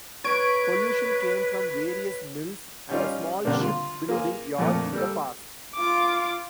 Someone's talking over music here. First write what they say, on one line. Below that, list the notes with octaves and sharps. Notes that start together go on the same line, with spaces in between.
Pollution came from various mills and a small ship building yard in the past.
B4 C#5 G#6 D7
G3 C#4 D#4 F4 D5 F5
D3 G3 A#3 C4 D4
F4 C6
A#3 F4 G#4
F2 A#2 A3 A#3
G3 A#3 A4
F4 D6